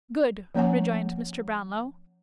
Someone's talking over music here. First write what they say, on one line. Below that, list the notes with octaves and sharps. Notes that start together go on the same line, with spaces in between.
'Good!' rejoined Mr. Brownlow.
F3 A#3 C#4 C#5 F#5 G#5